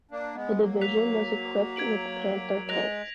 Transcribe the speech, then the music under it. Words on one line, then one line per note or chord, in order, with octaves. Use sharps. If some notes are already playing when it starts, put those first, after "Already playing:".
The division was equipped with Panther tanks.
A#3 D4
G#3 B3
F#3 A#3
F#6 B6 F7
G#6 D7 F#7
G#3 F#6 A#6 F7